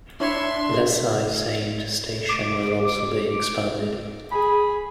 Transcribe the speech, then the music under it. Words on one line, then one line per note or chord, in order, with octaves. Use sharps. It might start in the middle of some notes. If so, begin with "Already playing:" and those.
LaSalle Saint Station will also be expanded.
D4 E4 C#5 E5 C6
D6
D6
G#4 B5